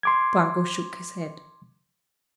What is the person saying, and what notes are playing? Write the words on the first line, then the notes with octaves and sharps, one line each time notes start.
Spargo shook his head.
C6 D6 G#6